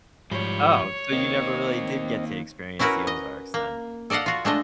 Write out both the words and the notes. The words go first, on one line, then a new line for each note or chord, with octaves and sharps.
Oh, so you never really did get to experience the Ozarks then?
G#2 F3 G3 C#5 B5 G6
D#3 A#3 C4 D#5
C#4 E4 F#4 A#4 B4
D#5
A#3
A4 D5 D#5 F5 F#5
F4 F#4
G#3 A3 D4 D#5